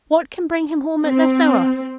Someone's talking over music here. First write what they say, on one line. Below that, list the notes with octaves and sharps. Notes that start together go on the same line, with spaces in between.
What can bring him home at this hour?
C4